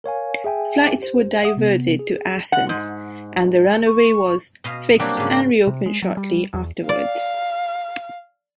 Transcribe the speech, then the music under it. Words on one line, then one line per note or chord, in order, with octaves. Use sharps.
Flights were diverted to Athens and the runway was fixed and reopened shortly afterwards.
A#4 C#5 F5 G#5
G#4 E5 G5 G#5
G4 C5
E5 F#5 D#6
C3 B3
G#4
F#5
G#2
C#6
B2 D#5 F5
F#3 G3 A#3 C4 D4
G#2 C#3
C3
G#3
F#3
G3
E2
D5 F5